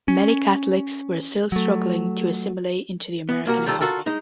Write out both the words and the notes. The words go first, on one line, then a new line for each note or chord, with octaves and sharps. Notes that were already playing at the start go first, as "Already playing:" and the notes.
Many Catholics were still struggling to assimilate into the American economy.
C#4
F#3 A3
B3
C2 A#3 F#4 A#4
D#3 G3 F4 A4
F4 F#4 A4 A#4
G#3 D#4